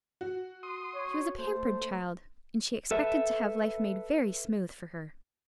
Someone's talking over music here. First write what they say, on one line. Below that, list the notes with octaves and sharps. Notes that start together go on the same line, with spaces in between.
She was a pampered child, and she expected to have life made very smooth for her.
F#4
C6 D#6
C#5
A3 C5
A4 B4 E5